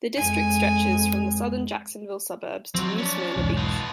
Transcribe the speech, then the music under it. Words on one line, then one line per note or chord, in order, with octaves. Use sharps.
The district stretches from the southern Jacksonville suburbs to New Smyrna Beach.
F2 G#3 G#5
F3 F#3 C4 F#4
C#4 D4
B1 E2 G#2
F3 B3